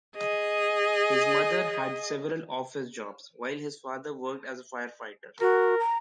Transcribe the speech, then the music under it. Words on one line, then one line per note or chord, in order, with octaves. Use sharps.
His mother had several office jobs, while his father worked as a firefighter.
G#4 D#5
F#4 A#4
A#5